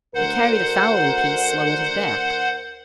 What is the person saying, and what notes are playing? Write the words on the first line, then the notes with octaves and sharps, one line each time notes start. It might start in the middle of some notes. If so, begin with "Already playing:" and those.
He carried a fowling-piece slung at his back.
D2 A#4 C5 F#5